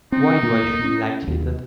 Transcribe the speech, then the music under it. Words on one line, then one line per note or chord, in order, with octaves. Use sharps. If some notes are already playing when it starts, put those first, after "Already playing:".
Why do I feel light-headed?
C4 D#4
A#3
C#4
D#2